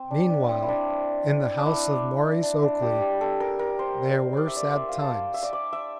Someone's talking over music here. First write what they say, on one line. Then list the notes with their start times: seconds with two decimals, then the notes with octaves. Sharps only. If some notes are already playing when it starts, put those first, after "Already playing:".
Meanwhile in the house of Maurice Oakley there were sad times.
Already playing: C4
0.11 D4
0.30 D4
0.49 C4
0.63 E4
0.69 D4
1.57 D4
1.66 E4
2.43 D4
2.62 D4
2.82 G4
3.01 G4
3.21 A4
3.40 A#4
3.59 A#4
3.79 C5
4.37 D5
4.48 E5
4.57 D5
4.76 E5
4.89 F5
5.02 A5
5.14 G5
5.34 E5
5.43 D5
5.53 D5
5.73 E5